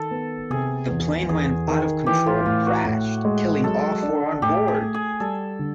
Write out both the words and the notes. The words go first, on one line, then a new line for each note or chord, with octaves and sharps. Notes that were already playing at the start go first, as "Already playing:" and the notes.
The plane went out of control and crashed, killing all four on board.
Already playing: D#3 A4
B3
C3 G#4
E2
E2 G#4
D#3
E3 G4
F4
A2 F4
F#4
A2
G#3
F#3 A4
D4
A2 G4
G#4
A3
G#4
G3 A4
D3